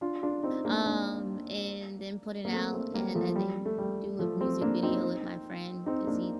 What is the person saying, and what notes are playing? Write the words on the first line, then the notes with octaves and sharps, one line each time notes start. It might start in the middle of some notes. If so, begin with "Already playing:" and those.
um, and then put it out, and I think do a music video with my friend, 'cause he
D4 F4
D4 F4
C4 D#4
A#3 D4
A#3 D4
A#3
A3 C4
A3 C4
G3 A#3
F3 A3
G3
A3
G3
F3 A3
A3 C4
A#3 D4
C4 D#4
C4 D#4
A#3 D4